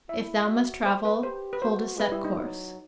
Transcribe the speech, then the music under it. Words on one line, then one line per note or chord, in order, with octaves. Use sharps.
If thou must travel, hold a set course.
E4 E5
F#4 E5
C5
B4
G4 C5
B4
F#4 C5
G3 B4
E4
D#4
F#3 D#4